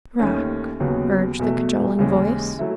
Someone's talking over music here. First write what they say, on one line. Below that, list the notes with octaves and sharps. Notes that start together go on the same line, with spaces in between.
"Rock..." urged the cajoling voice.
D#2 D#3 A3 C#4
D#2 C#3 F#3 B3
E2 B2 A3
D#2 C#3 E3 G#3 C#4
F#3 A3 E4